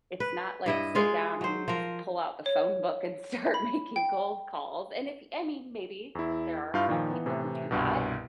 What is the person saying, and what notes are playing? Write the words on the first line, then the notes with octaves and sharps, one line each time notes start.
it's not, like, sit down and f pull out the phone book and start making cold calls." And if I mean, maybe there are some people who do that,
B4
G2 E4 D#5
G#3 F4 F5
F#3 C5
F3 A#4
C#5
B5
G5
E2 E4
G2 E4 F4 F5 G6
A#2 D#3 F3
E3 B3
A2 C3 E3
C2 G2 B2